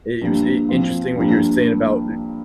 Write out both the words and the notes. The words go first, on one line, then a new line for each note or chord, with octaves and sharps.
It it was i interesting what you were saying about,
G2 F3 A#3
F3 C4 F4
G2 F3 A#3